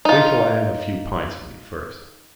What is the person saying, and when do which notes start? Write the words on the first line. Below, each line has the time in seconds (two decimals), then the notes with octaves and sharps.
Wait till I have a few pints in me first.
0.05 D#4 F4